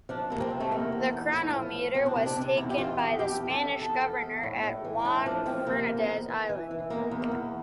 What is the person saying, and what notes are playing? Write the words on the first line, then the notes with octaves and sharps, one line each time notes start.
The chronometer was taken by the Spanish governor at Juan Fernandez Island.
F3 D4
C3 A#3
C4
C3
A3
E2 A#3
E2
E3
A2
F3
A2
E2 C4
D4
C3 C4
D4
C3
E2 E4
G4
E3 F4
E2 G4
F2 G4
F2
A4
F2
E2 A4
F3
E2
A2
A2
E3
A2 D4
F3 D4
F3 C4
C3 A#3
E2
E2
E3
E3
E3
E2 A#3
E2
A#3
E2